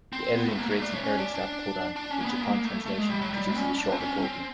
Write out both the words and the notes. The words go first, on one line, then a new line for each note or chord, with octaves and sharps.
The editing creates an early stop codon, which, upon translation, produces a shorter protein.
C4
B3
A3
A#3
A3
D4
C#4
C#4
D4
D4
D4
C#4
A#3
B3
A#3
A3
A3
G#3
G3
F#3
G3
C#4
D4
C4
C#4
C4